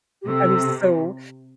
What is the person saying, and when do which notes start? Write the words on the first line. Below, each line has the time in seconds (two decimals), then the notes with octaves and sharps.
I'm so
0.22 G4
0.27 C3 A4